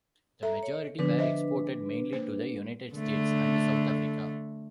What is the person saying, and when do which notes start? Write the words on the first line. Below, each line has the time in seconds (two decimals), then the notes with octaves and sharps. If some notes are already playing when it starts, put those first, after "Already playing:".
The majority were exported mainly to the United States and South Africa.
0.43 A4 E5 A#5
0.63 C#5
0.99 D3 F3 B3 D4 B4
1.19 C5 D#5 E5
2.13 A#3 C5
2.95 D3 A3